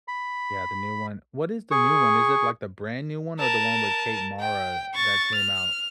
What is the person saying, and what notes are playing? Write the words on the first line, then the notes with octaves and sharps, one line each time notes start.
Yeah. The new one What is the new one? Is it, like, the brand new one or the one with Kate Mara that came out?
B5
G#4 C#6
A#4 A5
G5
C#6 A6
F6